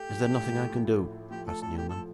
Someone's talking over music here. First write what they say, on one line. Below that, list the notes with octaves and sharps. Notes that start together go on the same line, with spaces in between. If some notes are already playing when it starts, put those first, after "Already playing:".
'Is there nothing I can do?' asked Newman.
Already playing: A3 G4
F3
A2
A1
A3
F3
A2
A1
A3
F3 G4
A2 A4
A1 A4
A3 G4
F3 A4